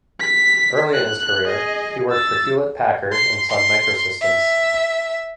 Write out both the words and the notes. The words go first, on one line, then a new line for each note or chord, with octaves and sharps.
Early in his career, he worked for Hewlett-Packard and Sun Microsystems.
B6
F#6
G#4 D#5
E6 A6
C6
C6
E5